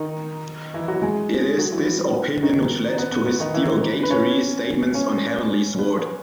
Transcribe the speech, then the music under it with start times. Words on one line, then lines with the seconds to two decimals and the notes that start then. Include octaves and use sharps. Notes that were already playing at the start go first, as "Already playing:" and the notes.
It is this opinion which led to his derogatory statements on "Heavenly Sword".
Already playing: D#3 D#4
0.74 E3 E4
0.88 F#3 F#4
1.02 G#3 G#4
1.58 F#3 F#4
1.72 E3 E4
2.43 D#3 D#4
2.98 B3
3.12 B3
3.26 B3
3.40 D#3 D#4
3.54 E3 E4
4.03 B4
4.11 C#4 C#5
4.94 C#4 C#5
5.79 B3 B4